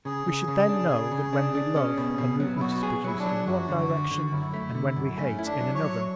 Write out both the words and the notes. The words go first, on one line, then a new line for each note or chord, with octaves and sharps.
We should then know that when we love, a movement is produced in one direction, and when we hate, in another.
C#3 G#4
C#3
C#3
D4
C#3
C#3
D4
D4
C#4
B2
B2
F#3
E4
B2 F#4
G#4
F#3 E4
D4
F#3
F#2 F#4
D3
D3
D3
F#4
F#2 E4
A3
D3
F#2
A3 C#4
E4
D4
F#3
C#5
F#3